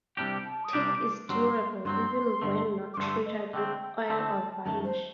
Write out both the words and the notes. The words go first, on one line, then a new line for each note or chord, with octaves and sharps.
Teak is durable even when not treated with oil or varnish.
C2 C3 G3 D4 G4 G5
A5
D#6
C2 C3 G3 D4 G4 D6
G2 F#3 C4 C6
G2 F#3 C4 C6
G2 D3 A3
D6
G2 D3 A3 C6
D#5
D3 A3 C4 G5
A#5
D3 A3 C4 A5
F#2 D#3 A3 A5
C5